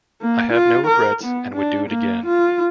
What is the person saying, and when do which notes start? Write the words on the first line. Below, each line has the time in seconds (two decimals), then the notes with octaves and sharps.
I have no regrets and would do it again.
0.21 A#3
0.52 F4
0.87 A#4
1.24 B3
1.54 D4
1.89 A#3
2.26 F4